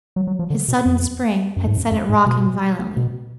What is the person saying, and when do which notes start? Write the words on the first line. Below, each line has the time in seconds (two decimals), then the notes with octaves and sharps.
His sudden spring had set it rocking violently.
0.16 F#3
0.27 F#3
0.39 F3
0.50 D3
0.68 B2
0.86 F2
1.56 F#2
1.66 G#2
1.77 F#2
1.91 F#2
2.09 G#2
2.26 B2
2.97 B2